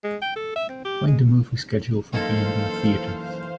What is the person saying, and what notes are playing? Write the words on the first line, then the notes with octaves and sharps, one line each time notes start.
Find the movie schedule for B&B Theatres.
G#3
G5
A4
E5
C4
G4
G#3
F#2 E3 A#3 D#4 A4 C5 F5